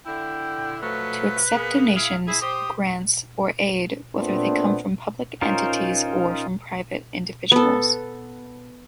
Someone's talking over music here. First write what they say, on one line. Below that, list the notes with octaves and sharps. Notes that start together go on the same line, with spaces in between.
To accept donations, grants or aid, whether they come from public entities or from private individuals.
D3 E4 G5
F3 F#3 A3 B4
A#3 B3 G#4
E4 G#4 F5
E4 G#4
G4 C5 D#6
A#2 A3 B3 C4 D4
C#4 D#4 F4 A#4 C5
B3 A4